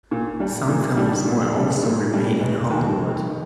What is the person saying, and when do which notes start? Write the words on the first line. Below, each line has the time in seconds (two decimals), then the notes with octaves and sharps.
Some films were also re-made in Hollywood.
0.11 A#2
0.40 G3 D4
0.69 A#2
0.97 G3 D4
1.25 A#2
1.54 G3 D4
1.83 A#2
2.13 G3 D4
2.41 F1
2.70 D#2 D#3
2.99 F1
3.27 D#3